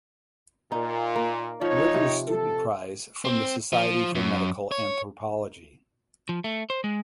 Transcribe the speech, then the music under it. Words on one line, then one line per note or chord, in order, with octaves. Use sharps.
Rivers Student Prize from the Society for Medical Anthropology.
A#2 D#4
A#3
F3 D#4 C#5
C3
A4
C4
F3
F#2
C#5
F3
A3
C5
G#3